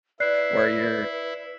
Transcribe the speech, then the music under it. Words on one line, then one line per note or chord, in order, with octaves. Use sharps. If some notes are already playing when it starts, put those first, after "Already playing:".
where you're
E4 B4 D5 F#6 C7